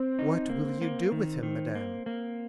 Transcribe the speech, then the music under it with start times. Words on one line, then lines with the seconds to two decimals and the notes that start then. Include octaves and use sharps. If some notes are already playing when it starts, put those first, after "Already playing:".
"What will you do with him, madame?"
Already playing: C4
0.19 D#4
0.49 A#3
0.81 A#3
1.12 D#3
1.43 D#3
1.75 A#3
2.06 A#3